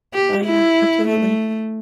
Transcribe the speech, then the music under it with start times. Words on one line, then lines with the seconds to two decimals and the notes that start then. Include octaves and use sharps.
So, yeah, absolutely.
0.13 G4
0.45 E4
1.08 A3